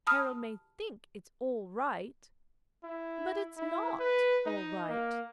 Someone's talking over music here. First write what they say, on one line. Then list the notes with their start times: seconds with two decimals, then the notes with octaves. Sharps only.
Harold may think it's all right; but it's not all right.
0.07 A5 B5 D#6 F6
2.84 E4
3.57 E4
4.00 B4
4.46 D#4
4.89 A#3